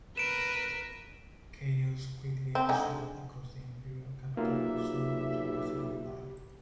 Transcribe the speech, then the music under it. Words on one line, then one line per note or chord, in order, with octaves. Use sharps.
Chaos quickly ensued across the Imperial capital and soon across the Russian Empire.
A#4 B4 D7 E7
C4
D3 D#3 G#3
B1 A#3 F4 G4 E5